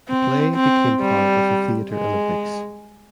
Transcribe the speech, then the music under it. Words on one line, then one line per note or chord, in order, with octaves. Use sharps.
The play became part of the Theatre Olympics.
C4
C4
G3
G#3